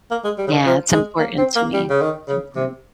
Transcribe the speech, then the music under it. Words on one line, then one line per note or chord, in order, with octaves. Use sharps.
Yeah, it's important to me, it's important.
A#3
G#3
G3
C#3
D#3
F3
G#3
A#3
C4
A#3
G3
C#3
D#3
C#3
C3